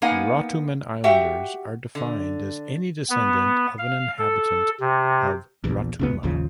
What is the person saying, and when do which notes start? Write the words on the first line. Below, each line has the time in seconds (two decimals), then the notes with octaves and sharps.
Rotuman Islanders are defined as any descendant of an inhabitant of Rotuma.
0.02 A#3 B3 D#4 F5 F#5 G#5
1.04 F#4 G4 E5 F#5 G5
1.95 D3
3.10 B3
3.78 F5
4.19 A4
4.80 C3
5.64 A#1 E2
5.99 F1 C#2 B3
6.23 G#1 D#2 C#3 F3